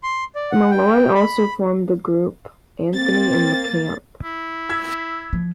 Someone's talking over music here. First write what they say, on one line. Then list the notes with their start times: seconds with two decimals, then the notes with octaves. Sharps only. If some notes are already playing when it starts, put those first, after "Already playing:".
Malloy also formed the group Anthony and the Camp.
0.03 C6
0.35 D5
0.51 F#5
0.71 G5
1.15 B5
2.94 A#3 C4 A6
4.24 E4
4.69 E6 G#6 B6
5.33 F3